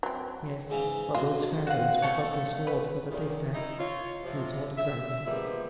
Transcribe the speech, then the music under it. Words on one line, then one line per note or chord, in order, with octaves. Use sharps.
"Yes, for those pharaohs forgot the sword for the distaff," retorted Rameses.
F#3 C4
G#2 C#3 E3
F4 F#4 D#5
C4 F#4 F5 F#5 D#7
A3 A4 C#5
B4
E2 G2 A#2 D3 D#3
D#4 E4
F4 C#5
C3 F3
E5
E3 F3 G3 G#3 A#3 B3